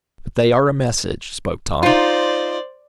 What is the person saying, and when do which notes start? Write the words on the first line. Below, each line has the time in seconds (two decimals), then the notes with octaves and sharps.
"But they are a message," spoke Tom.
1.83 D#4 F4 C5 D5